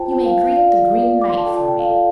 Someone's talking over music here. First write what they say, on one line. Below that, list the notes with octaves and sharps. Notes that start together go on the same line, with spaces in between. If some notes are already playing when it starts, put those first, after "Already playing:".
'You may greet the Green Knight from me.'
Already playing: F4 C5 G5 A5
F4 C5 G5
F5
F4 D5 F5
F4 D5
D6
C6
A5
F4 A4 D5 G5
A5
G5
F5
F4 A4 D5 F5